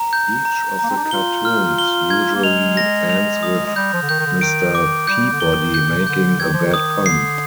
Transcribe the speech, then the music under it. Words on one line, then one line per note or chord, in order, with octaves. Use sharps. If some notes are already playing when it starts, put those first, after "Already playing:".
Each of the cartoons usually ends with Mr. Peabody making a bad pun.
Already playing: A#5
G6
A#5
A#3 A#5
C4
D4
D#4
F4 G7
F6
G7
G#6
A#3
G#3 F7
A#6
F7
D#6
G#3
G3 G6
F3
D3
D#3 G6
D#3
D3
D#3 D7
D#3 D6
G3 G6
D3
D#3 G7
D#3 G6
A#2
C3
D3 G6
D#3 G#6
F3
D#3
D#6
D3 C7